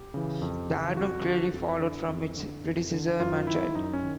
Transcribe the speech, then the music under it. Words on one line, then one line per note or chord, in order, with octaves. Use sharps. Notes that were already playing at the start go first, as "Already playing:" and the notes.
The album clearly followed from its predecessor "Man-Child".
Already playing: G4
C#3 E3
F2
C#3 E3
F2 F#4
D3
F2
D3
F2
D3
F2
D3
F#2 F4
D#3 E4
F#2 D#4
C#4
D#3